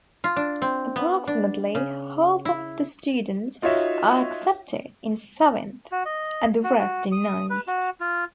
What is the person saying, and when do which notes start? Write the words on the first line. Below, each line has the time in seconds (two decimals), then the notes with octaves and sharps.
Approximately half of the students are accepted in seventh, and the rest in ninth.
0.24 F4
0.36 D4
0.62 C4
0.96 B3
1.27 D4
1.75 C#3
2.45 E4
3.62 D#4 F4 F#4 C#5 E5
5.92 F#4
6.05 D#5
6.64 F#4
6.79 F#4
7.12 D#6
7.50 B4
7.67 F#4
8.00 F4